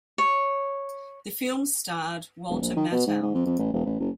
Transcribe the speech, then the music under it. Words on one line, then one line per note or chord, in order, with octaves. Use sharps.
The film starred Walter Matthau.
C#5
E1
A#1
D#3
B2
G#2
G#2
F2
F2
A1
E1
A1
F#1